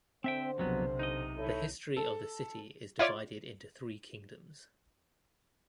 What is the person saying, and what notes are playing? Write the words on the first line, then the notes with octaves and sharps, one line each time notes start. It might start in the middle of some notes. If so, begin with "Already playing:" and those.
The history of the city is divided into three kingdoms.
D3 C4 C5 E5 G5
B1 F2 C3 F#3 B3
D#4 D#5
E4 A4 C#5
A4
E4 F4 C#5 D5